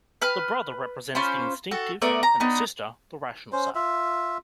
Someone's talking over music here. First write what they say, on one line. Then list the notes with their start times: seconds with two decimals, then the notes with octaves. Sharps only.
The brother represents the instinctive and the sister the rational side.
0.22 B4 B5 F6
1.15 C#4 F4 C5 B5
1.71 F#4 A4
2.02 A3 B3 A#4 D5
2.23 A#5
2.40 B3 D4 D#4
3.53 C#4 C5
3.75 F4 E5